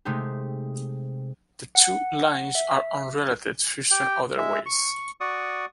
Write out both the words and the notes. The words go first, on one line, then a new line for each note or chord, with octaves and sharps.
The two lines are unrelated systems otherwise.
C3 G#3 A3 D#4 G4
F#5
E5
G4 G5
G#3 E5
C#6
F#4 D5 C#6 D#6